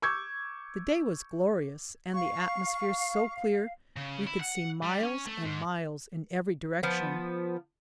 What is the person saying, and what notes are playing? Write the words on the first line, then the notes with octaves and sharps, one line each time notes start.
The day was glorious, and the atmosphere so clear, we could see miles and miles in every direction.
C#6 D6 E6 G6 G#6
F5 C#6
C#3
E4
F#5
G3
C#4
A3
G#2
F3 B3